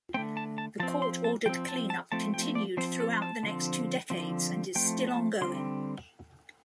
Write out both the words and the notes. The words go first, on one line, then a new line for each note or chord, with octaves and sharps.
The court ordered cleanup continued throughout the next two decades and is still ongoing.
D3 A3 C4 G5
A5
A5
F3 C4 A5
C6
A5
F3 C4 G5
A5
A5
F3 A3 C4 A5
G5
D5
F3 C4 C5
A4
C6
A5
D3 F3 C4
D3 F3 C4
F3 A3 C4 G5
A5
D3 G3 C4 C6